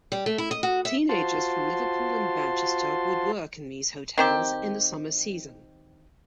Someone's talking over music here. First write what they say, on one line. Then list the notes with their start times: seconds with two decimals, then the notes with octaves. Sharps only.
Teenagers from Liverpool and Manchester would work in these hotels in the summer season.
0.12 G3
0.26 A3
0.38 E4
0.51 D#5
0.63 F#4
0.85 E5
1.09 F4 F#4 C5 A5 C6
4.18 D#3 C4 G4